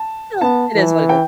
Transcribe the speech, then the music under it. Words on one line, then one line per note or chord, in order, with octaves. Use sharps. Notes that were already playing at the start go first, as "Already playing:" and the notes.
Ha, it is what it is.
Already playing: A5
B3 A5
E3
G5